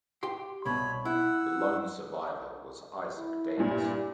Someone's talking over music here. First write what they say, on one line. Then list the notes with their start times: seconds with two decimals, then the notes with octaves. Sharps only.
The lone survivor was Isaac Davis.
0.23 G4 G5 C6
0.66 C2 B2 C#5 B5
1.05 E4 F#5 E6
3.16 E4
3.58 G2 A#2